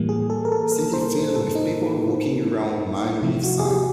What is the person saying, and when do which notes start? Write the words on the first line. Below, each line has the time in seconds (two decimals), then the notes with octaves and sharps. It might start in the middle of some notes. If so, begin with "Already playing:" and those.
City filled with people walking around man with sign.
Already playing: A2 E3 G3 A#3
0.09 G#4
0.30 A4
0.45 A#4
0.52 A4
0.72 A#4
0.93 C5
1.35 A4
1.55 D#4
3.22 C3 F3 A3 E4
3.44 F#4
3.60 G#4
3.65 G4